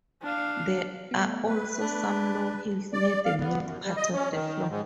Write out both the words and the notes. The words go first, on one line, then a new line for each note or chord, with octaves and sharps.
There are also some low hills near the mid-part of the floor.
D4 F5
A3 B3
B4
D4
D5
F5
B3
F#2
G3
D#5
C#4
D#3
G#2